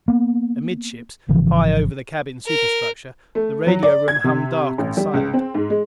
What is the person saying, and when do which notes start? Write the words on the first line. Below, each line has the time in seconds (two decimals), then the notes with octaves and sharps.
Amidships, high over the cabin superstructure, the radio room hung dark and silent.
0.08 A#3 B3
1.28 G#1 C#3 E3 F3
2.46 A#4
3.35 A3
3.67 F#3
3.83 D5
4.08 G#6
4.24 C3
4.78 A1
4.97 G3
5.14 C#2
5.33 C4
5.54 G#2
5.70 G#3